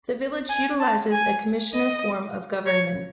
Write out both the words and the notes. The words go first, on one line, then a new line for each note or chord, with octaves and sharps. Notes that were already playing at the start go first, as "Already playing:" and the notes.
The village utilizes a commissioner form of government.
G#5
A5
G#5
D#5
C#5